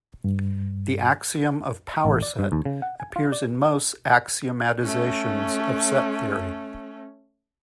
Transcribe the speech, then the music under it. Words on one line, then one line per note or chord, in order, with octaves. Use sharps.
The axiom of power set appears in most axiomatizations of set theory.
G2
A1
D5
G2
D#2
C#3
F#5
G#5
F4
D5
A3 C#4